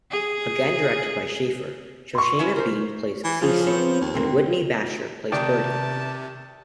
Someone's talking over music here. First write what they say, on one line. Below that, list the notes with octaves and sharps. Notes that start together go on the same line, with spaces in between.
Again directed by Schaeffer, Shoshana Bean plays Cee Cee and Whitney Bashor plays Bertie.
G#4
C6 C#6
C#4 E4 B4
A#4 C5
E3
F3 C#4 F4 G#4
B3 C4 C#5
D#2
D3 C4 A#4
C3 D#3 D5 A5